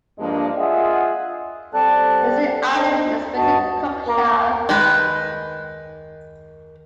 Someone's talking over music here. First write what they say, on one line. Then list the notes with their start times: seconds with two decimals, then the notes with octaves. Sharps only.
Lizard Island is within Cook Shire.
0.19 G2 F3 G#3 A#3 D4
0.57 F4 G#4 D#5 E5 F#5
1.74 G3 C4 A4 D5 A5 F#6
2.74 D4 D#4
3.37 G2 F#4 D#5 A5
4.07 A#3
4.69 D#3 G#3 B4